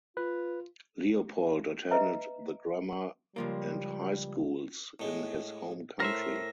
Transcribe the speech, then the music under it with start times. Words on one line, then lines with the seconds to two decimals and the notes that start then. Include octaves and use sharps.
Leopold attended the grammar and high schools in his home country.
0.17 F4 B4
1.91 B4 D#5 E5 A#5
3.36 C#2 F3 G3 A#3
5.00 A2 G#3
6.00 A2 A#4 C5 E5